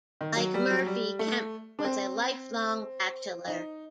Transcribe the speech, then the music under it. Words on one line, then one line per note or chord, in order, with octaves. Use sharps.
Like Murphy, Kemp was a lifelong bachelor.
D#3
F#3
G3
F#3
G3
A3
D4
C4
D#4